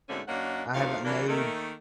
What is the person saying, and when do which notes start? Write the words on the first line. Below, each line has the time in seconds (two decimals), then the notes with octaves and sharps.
I haven't made
0.09 G#2 B2 D3 A3 C4 C#4
0.28 F#2 A#3 D4 D#4 C#5 F#5
0.74 D2 D#3 F3 A3 C#5 F5
1.05 E3 F#3 A#3 D4
1.28 D#3 A3 A#3